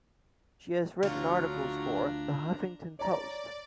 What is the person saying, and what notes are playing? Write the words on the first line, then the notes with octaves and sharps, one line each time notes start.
She has written articles for "The Huffington Post".
D2 D3 F#3 D4 F4 C#5 A#5
C#5 D5 A#5